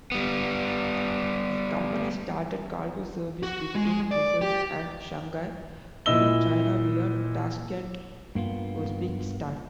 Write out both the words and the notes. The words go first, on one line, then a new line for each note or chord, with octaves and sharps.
The company started cargo service between Brussels and Shanghai Pudong, China via Tashkent, Uzbekistan.
G3 B3
F#4
G#3
D5
G4
A#2 E4 D#5 E6 G7
G2 A#3 B3 F4